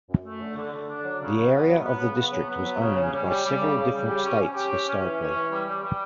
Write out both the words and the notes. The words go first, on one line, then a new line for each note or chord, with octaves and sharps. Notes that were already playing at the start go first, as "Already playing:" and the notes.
The area of the district was owned by several different states historically.
F#2
A3
D3
D3
D3
D4
F#3
C#3
F#3
B3
F#3
B3
C#3
B3
F#3
B3
F#3
C#3
C#4
G3
G3
G3
C#3
C#3
G3
G4
C#4
C#4
G4
C#4
C#4
E3
C#4
E3
G3
G3
G3